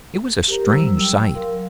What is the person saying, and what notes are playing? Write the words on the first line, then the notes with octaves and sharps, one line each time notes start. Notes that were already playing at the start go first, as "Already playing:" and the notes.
It was a strange sight.
G4 A#4 C5 A#5
F#3 G3 E6
G5
A#4 F5 C6
F#3